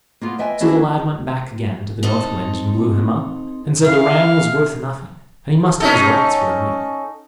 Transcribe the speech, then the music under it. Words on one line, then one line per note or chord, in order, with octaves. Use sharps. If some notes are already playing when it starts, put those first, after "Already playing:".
So the lad went back again to the North Wind, and blew him up, and said the ram was worth nothing, and he must have his rights for the meal.
A#3 B3 F4
B4 D#5 E5 G5 G#5
A#3 C#4 D4 E4 F#4 G#4
C4 D#4 A4
E4 F5
C#4 D#4 A4